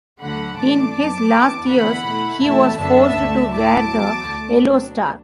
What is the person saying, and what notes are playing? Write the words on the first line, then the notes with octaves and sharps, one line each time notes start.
In his last years he was forced to wear the yellow star.
D2 D3 F#3 A3 F#5 B5
A2 E3 A3 D4 A5 D6
F#2 F#3 B3 A5 D6
E2 D3 B3 E4
E2 D3 B3 E4 F#5 B5
B2 A3 E4
E2 B2 A3 E4 E5 A5
F#2 D3 B3 D4 E5 A5
D2 D3 A3
A2 A3 E4 A5 D6
E2 B2 F#3
D2 D3 A3
B2 F#3 D4